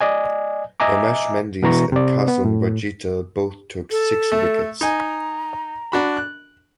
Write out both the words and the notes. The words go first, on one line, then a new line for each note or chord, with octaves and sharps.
Ramesh Mendis and Kasun Rajitha both took six wickets.
D5 D#5 G#5
D#5 E5 G#5 A#5 D6
B2 E3 A#5 C#6
C3 D5
B3
A2
A4
A3
D#4 G#5 A#5
D4 F#4 B5
F#6